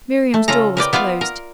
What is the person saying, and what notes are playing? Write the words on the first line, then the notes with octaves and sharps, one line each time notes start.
Miriam's door was closed.
A3
C#3 F4 A4 A#5
A#4 B4 D5 G5
B3 F4 D5 E5 F5
A#4